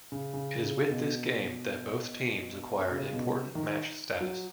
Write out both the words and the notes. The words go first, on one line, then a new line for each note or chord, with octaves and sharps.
It is with this game that both teams acquired important match status.
C#3
C#3
C#3
B2
C#3
B2
D#3
F#3